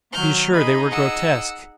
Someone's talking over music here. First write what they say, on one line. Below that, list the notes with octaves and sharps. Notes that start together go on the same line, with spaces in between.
Be sure they were grotesque.
D#3 F#3 F6 G6
D#4 G#4 D#5 B5
F#5 E6